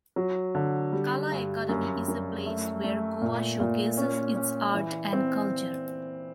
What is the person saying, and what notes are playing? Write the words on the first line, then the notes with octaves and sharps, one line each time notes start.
Kala Academy is a place where Goa showcases its art and culture.
F#3
D3
G3
G2
F#2
F#2
A3
A3
A#2
A#2
C#4
C#4
E3
C4